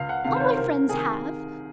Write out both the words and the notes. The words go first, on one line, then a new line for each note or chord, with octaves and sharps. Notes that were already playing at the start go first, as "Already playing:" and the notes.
All my friends have.
Already playing: C#2 F5
F#5
C3 D#3 F5
C5
C#5
C2 A#4
C3 D#3 G#4